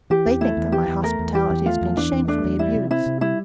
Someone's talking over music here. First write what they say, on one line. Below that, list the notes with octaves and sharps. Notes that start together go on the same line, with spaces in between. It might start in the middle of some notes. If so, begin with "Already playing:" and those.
They think that my hospitality has been shamefully abused.
E3 G4
E2
A3 E4
E2
E3 G4
E2
A3 A#4
E2
E3 G4
E2
A3 F4
E2
E3 D4
E2
A3 D4
E2
G3 E4
C3
C4 E4
C3
G3 E4